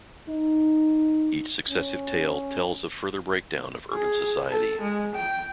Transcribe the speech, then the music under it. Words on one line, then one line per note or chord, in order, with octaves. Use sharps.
Each successive tale tells of further breakdown of urban society.
D#4
C#4
G#4
A4
G#3
G5